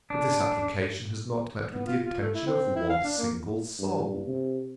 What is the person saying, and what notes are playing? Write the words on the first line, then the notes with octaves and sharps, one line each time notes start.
But this application has not met with the attention of one single soul.
D4
B3
F4
F4
A3
E4
C4
E4
F5
D4
A#3
G2
C3